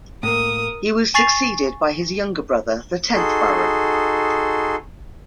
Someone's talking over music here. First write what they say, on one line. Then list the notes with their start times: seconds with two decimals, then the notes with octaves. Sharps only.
He was succeeded by his younger brother, the tenth Baron.
0.23 A2 A#3 A#4 D#6
1.14 G#5 C#6 A6 C7 F7 F#7
3.14 D#4 F#4 G#4 A4 C6